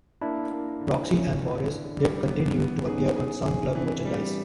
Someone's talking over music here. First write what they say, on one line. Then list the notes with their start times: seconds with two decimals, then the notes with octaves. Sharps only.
Roxi and Boris did continue to appear on some club merchandise.
0.21 A#3 D4 E4
0.51 A#3
0.81 D3
1.11 C#4
1.40 D3
1.69 D3
1.99 G3
2.28 B3
2.58 B3
2.86 C#4 D#4 G#4
3.16 G#4
3.46 G#4
3.75 E3 C4 D4
4.05 G3